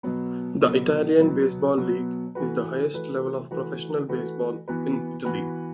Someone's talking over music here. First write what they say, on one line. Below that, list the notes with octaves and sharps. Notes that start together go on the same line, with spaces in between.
The Italian Baseball League is the highest level of professional baseball in Italy.
B2 F#3 B3
B2 F#3 B3
B2 F#3 B3
B2 F#3 B3
E3 A3 F#4 B4
E3 A3 F#4 B4
E3 A3 F#4 B4
E3 A3 F#4 B4
E3 B3 F#4 B4
E3 B3 F#4 B4